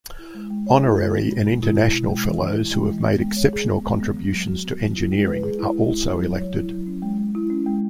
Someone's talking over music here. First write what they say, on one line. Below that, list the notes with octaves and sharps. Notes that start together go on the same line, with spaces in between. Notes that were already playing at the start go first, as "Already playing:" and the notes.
Honorary and International Fellows who have made exceptional contributions to engineering are also elected.
E4
G#3
G#3
C#5
E4
G#3
G#3
B2
B2
E4
G#3
B2
G#3
E3
E3
E4
G#3
E3
B3
G#3
C#5
G#4
B3
G#3
B3
F#3
F#3
F#4
B3
F#3
E4
G#3
B4
G#4
E4
G#3
E4
F#3
F#3
C#5
E4
F#3
C#4
G#3
G#3
E4
C#4
G#3